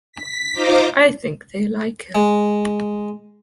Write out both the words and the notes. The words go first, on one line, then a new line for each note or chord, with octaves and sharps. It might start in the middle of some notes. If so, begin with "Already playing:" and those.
I think they like it.
B6
D#4 F4 C5 A#5 D6
G#3